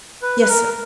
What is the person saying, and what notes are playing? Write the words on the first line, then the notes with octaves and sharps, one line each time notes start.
"Yes, sir."
B4
B4
A#4